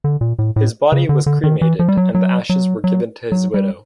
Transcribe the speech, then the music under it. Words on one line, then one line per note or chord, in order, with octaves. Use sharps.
His body was cremated and the ashes were given to his widow.
D3
A#2
A2
A2
C#3
D3
D3
D#3
E3
F3
G3
F#3
F#3
F#3
F#3
F#3
G3